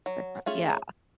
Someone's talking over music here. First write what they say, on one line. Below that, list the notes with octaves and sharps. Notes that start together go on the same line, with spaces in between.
The prob yeah.
F#3
A3 C#4 F4 G#4